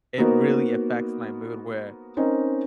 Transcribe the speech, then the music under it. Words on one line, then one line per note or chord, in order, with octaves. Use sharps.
it really affects my mood where
A#3 B3 D#4 F#4 A#4 C5
C4 C#4 D#4 A#4 C5